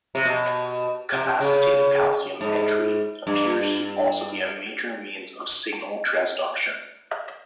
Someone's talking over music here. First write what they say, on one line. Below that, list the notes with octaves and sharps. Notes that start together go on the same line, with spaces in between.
Capacitative calcium entry appears to also be a major means of signal transduction.
C3
B2
C3
C3
C#3
G#2
G2